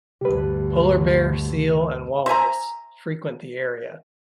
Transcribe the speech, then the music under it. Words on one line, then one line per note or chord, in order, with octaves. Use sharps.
Polar bear, seal, and walrus frequent the area.
D2 G2 C3 G4 B4
C5 E5 G#5 A#5